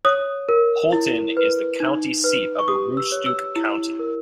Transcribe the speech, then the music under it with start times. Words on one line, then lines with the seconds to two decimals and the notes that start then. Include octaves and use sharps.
Houlton is the county seat of Aroostook County.
0.05 C#5 D#6
0.49 A#4
0.93 E4
1.37 B4
1.80 D#4
2.24 B4
2.59 C#6
2.68 G4 D#6
2.97 E6
3.12 C#5
3.26 E6
3.56 E4
3.99 A#4